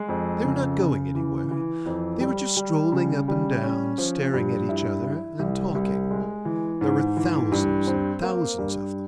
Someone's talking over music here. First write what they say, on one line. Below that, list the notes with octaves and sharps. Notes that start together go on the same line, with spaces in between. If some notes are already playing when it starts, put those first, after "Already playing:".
They were not going anywhere,--they were just strolling up and down, staring at each other, and talking. There were thousands and thousands of them.
Already playing: G#3
F2
C#3
C#3
E3
E3
F2
G3
G3
C#3
G3
C#4
F3
G2
E4
E4
C2
C2
G#3
E3
G#2
E3
G2
C4
A#3
G2